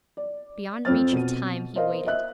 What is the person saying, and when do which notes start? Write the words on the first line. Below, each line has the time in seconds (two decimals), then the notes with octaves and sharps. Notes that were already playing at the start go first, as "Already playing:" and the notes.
Beyond reach of time he waited.
0.17 D5
0.85 F2 C4 F6 A6
1.13 B2 D#7
1.75 A#4 C5 D#5 F5
2.06 D#5 E5 F#6